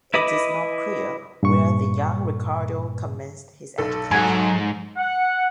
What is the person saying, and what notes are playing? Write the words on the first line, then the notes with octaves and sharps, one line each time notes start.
It is not clear where the young Ricardo commenced his education.
E4 B4 D#5 B5 D6
G2 A#2 C#6
B1 A4
G#2 F#3 F#5 G#5
F#5